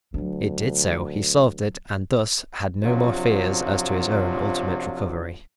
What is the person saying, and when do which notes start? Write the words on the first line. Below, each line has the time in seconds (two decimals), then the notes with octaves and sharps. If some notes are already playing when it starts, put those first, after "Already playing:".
It did so, he solved it and thus had no more fears as to his own ultimate recovery.
0.14 D2 F#3 D4
2.84 F#2 C3 F3 F#3 D4 F4